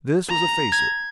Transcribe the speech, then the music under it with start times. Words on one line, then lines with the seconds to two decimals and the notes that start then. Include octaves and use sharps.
This was a facer.
0.29 A#5
0.72 G#6